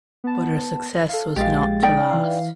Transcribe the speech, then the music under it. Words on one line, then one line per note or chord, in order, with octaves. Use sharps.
But her success was not to last.
B3 A5
A4 F5
A#1 G#3 G4 F5 A6
D#4 D5 G5
E3 F5